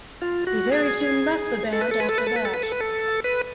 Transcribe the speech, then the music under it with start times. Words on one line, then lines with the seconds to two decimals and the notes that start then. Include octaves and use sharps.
He very soon left the band after that.
0.22 F4
0.47 F#4
0.72 G#4
1.73 A4
1.81 B4
1.91 A4
2.00 B4
2.09 A4
2.18 B4
2.27 A4
2.36 B4
2.45 A4
2.53 B4
2.63 A4
2.71 B4
2.80 A4
3.24 B4